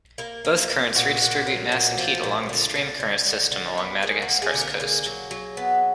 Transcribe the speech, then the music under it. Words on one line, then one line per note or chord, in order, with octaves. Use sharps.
Both currents redistribute mass and heat along the stream current system along Madagascar's coast.
A#3 A#4
A#3
A#3
A#2 F#4
A#2
F#3
A#2
F3
A#2
D3
D3
D3
D3
D3
B3
A#3 G#4
F#4
A#3
G#4
D3
A#4
A#3 G#4
F#3
F#3
B3